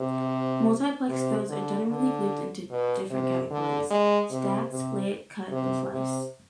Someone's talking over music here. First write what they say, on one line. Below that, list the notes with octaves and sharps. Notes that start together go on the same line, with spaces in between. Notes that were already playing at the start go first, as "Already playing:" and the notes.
Multiplex throws are generally grouped into different categories: Stack, Split, Cut, and Slice.
Already playing: C3
C3
D3
D3
B2
C3
D3
G#3
C3
C3
C3
C3